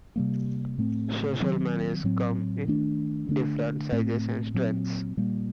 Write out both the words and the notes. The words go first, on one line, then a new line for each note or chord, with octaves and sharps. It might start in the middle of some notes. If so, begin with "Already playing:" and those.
Social manias come in different sizes and strengths.
C3 G3 A#3
A2 A3 C4
D#3 F#3 C4
A2 F#3 C4
D#3 A3 D4
D3 A3 D4
A2 A3 C4
A#2 F#3 C4
A#2 G3 A#3